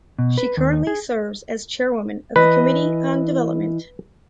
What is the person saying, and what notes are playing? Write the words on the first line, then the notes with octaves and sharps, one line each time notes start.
She currently serves as chairwoman of the Committee on Development.
B2
B4
D#2
G#4
E3 B4 D#5